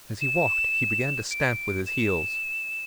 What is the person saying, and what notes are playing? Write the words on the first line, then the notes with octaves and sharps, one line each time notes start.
As he walked he began to stamp with his heels.
E7
D7
E7